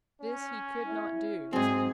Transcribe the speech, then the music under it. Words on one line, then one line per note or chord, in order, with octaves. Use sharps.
This he could not do.
C#4
E4
G#2 F#3 C4 G#4